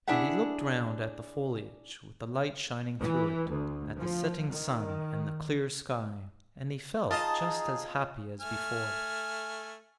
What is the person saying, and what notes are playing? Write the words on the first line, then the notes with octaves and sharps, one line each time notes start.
And he looked round at the foliage with the light shining through it, at the setting sun and the clear sky, and he felt just as happy as before.
D4 E4 G#4 E5 F#5
E3
D2
F3
D#3
D#4 F4 G#4 D#5 A5
A3 G#5 F6